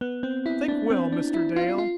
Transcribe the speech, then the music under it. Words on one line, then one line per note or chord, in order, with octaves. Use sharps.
"Think well, Mr. Dale!"
B3
C4
E4
D4
C4
D4
E4
F4
F4